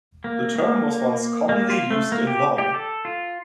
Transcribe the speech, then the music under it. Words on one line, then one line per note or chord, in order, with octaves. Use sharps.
The term was once commonly used in law.
A#3
A#3
A#3
F4
A3
A#3
G4
G4
A4
F4